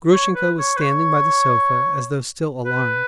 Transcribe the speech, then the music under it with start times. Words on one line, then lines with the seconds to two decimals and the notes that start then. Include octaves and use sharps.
Grushenka was standing by the sofa as though still alarmed.
0.12 C#5
0.35 B4
0.59 C#5
0.77 B4
0.80 C#5
2.65 B4